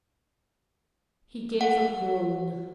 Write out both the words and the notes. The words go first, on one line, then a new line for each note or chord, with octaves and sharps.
He gave a groan.
F#5